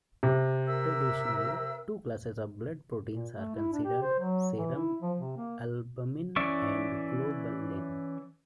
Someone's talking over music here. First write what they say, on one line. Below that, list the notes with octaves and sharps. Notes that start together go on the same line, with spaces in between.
Traditionally, two classes of blood proteins are considered: serum albumin and globulin.
C3
A#4 E5 E6
A#2
A3
E4
D4
G4
C5
F#3
E3
E4
F3
C3
A#3
E3 C#4 D5 E5 C#6